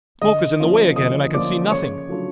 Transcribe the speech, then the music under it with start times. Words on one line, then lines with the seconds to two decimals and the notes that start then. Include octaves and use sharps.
The smoke is in the way again and I can see nothing.
0.22 D3 D#5 D#6
0.60 F3 A#3 C#4 F4
0.96 D3 D#5 D#6
1.34 F3 A#3 C#4 F4 D5 D6
1.71 C#3 C#5 C#6
2.09 F#3 A3 D4 F4